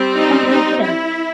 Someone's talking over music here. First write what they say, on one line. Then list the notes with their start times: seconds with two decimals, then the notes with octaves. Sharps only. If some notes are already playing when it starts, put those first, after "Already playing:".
Oh, no kidding.
Already playing: G3 C4
0.17 D#4
0.49 D#4
0.80 E4